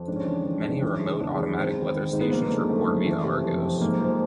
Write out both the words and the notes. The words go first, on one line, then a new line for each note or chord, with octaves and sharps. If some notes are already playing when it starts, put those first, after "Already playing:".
Many remote automatic weather stations report via Argos.
Already playing: F2
G#2 D4
C#4
E3 D4
E3
G#2
E3
C#3
E2 D4
E2
G#2 C4
D#3
D#3
G#2
B3
F3 A#3
D3
F#2 A3
F#2
E3
C3
F2
F2
G#2 A#3
F3